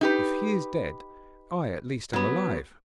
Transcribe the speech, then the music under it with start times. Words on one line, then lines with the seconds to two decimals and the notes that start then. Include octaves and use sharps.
If he is dead, I at least am alive.'
0.01 D#4 G4 B4
2.13 F#3 B3